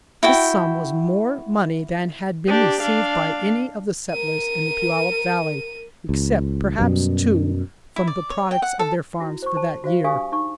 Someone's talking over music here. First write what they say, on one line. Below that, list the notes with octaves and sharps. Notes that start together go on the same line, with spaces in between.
This sum was more money than had been received by any of the settlers in the Puyallup valley, except perhaps two, from the products of their farms for that year.
E4 F#4 G5
D4 G4
D4 F5
A#4 D#7
C#2
F#2 B2 G3
E4
D5
C#5
G5
F#5
A4
E4 F#4
C5 C#6
C5 A5
F#4 C5 F5
D4 G4 F5 G#5 C#6 D#6
D#4 C#6